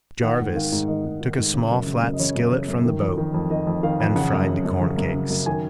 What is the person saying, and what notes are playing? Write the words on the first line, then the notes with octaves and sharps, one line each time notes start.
Jarvis took a small flat skillet from the boat and fried the corn cakes.
D#3 F#5
G#2
D#3 F5
G#2
D#3 D#5
G#2
D#3
G#2
C#3
F#2
C#3
F#2
D#5
C#3 C#5
F#2
C#3
F#2
D#3
F2
D#3
F2
D#3 D#5
F2
D#3 F5
F2
C#3 F#5
F#2
C#3
F#2
C#3
F#2
C#3
F#2
D#3 G#5